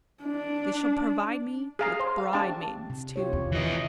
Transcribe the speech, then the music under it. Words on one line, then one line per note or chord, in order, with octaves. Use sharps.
They shall provide me with bride-maidens too.
D4
G#4 F5 A#5
C5
F5
D4 G4 A5
C3
F4 G4 C#5
E2 C3
E3 D#5